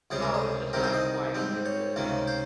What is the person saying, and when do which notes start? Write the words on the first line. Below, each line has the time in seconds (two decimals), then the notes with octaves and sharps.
Oh, just not quite as good as him.
0.11 C#2 C3 G3 C#4 G#4
0.22 A#4
0.34 G#4
0.73 C2 C3 D#3 G3 C4 A#4
0.83 C5
0.93 D#5
1.34 G#2 G3 C4
1.66 C#5
1.96 C#2 C3 D#3 A#3 C#4
2.28 C5